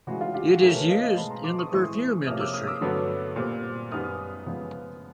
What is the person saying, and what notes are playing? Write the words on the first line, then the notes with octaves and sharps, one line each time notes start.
It is used in the perfume industry.
C#3 E3 G#3 F#4
F4
F4 G4
F#4
G#2 E3 A3 C#4 G#4 A#4
A4 B4
D#5 F5
D#5 F5
B2 G#3 C4 A5 B5
A#5 C6
C6 D6
C#6 D#6
A2 E3 G#3 C4
C3 F3 A#3 C#4 D#6 F6
D6 E6
D#6 F6
D6 E6
G2 D3 F#3 B3
A#2 G3 C4
F#2 D#3 G3 B3 D#6 F6
C#3 F3 G#3 B3